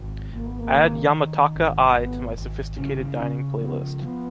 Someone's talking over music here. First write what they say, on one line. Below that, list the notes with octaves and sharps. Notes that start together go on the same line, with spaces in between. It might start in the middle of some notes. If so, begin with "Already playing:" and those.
Add Yamataka Eye to my sophisticated dining playlist.
Already playing: G#1
G#1 A#3
B3
A#3
D#3
D#3
G#1
G#1 B3
G#1
C#3 C#4
D#4
C#3 C#4
F3 B3
F3 B3